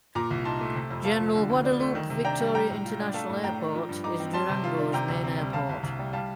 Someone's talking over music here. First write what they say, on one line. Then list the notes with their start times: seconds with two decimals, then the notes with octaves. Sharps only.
General Guadalupe Victoria International Airport is Durango's main airport.
0.15 A#2 A#5 D6
0.30 C2
0.45 D#4 A5 C6
0.61 A3
0.75 C3
0.90 F2
1.05 A3 F5 A5
1.20 F3
1.35 D3
1.50 D2
1.64 D4
1.80 A3
1.95 D#3
2.10 C3
2.25 D4 G5 A#5
2.40 G3
2.54 G3 G5 A#5
2.70 A2
2.85 F4
3.00 D4
3.14 A3 F5 A5
3.29 A2
3.44 A2 G5 A#5
3.59 D4
3.75 F3
3.89 G2
4.04 D#4 A#5 D6
4.20 C4
4.33 G3 A5 C6
4.50 C3
4.64 F4
4.79 D4
4.93 C3 G5 A#5
5.08 D2
5.24 C4
5.39 G3
5.53 C3 F5 A5
5.69 C2
5.83 C2
5.99 G3
6.13 G3 F5 A5